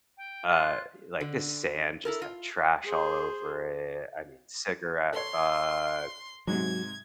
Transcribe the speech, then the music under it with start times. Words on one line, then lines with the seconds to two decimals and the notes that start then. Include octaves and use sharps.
uh, like, this sand just had trash all over it, I mean, cigarette butt
0.17 G5
0.50 F4 F#6
1.21 D3
2.05 E4 A4 A#4
2.22 F4
2.86 G#4 C5
5.13 A4 C#5 C6
6.47 G#2 C3 F#3 G#6